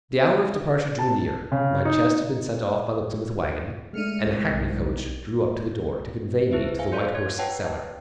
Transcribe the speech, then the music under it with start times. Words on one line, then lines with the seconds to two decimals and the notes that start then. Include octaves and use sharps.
The hour of departure drew near; my chest had been sent off by the Plymouth waggon, and a hackney-coach drew up to the door, to convey me to the White Horse Cellar.
0.99 A5
1.52 C#3
1.85 D#4
3.93 G#3 A3 D4 F6 C#7 D#7
4.26 C2 G#2
4.43 B1 D#3
6.51 E4 G#4 B4 C5 E5
6.79 F5 G#5
6.92 A4 C#5 D5 C6 G6 C#7
7.15 C#5 G#6
7.39 F4 B4 C#5 F#5 G5 A5